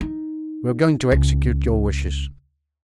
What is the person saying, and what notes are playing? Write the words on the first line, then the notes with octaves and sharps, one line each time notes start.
"We are going to execute your wishes."
D#4
C#2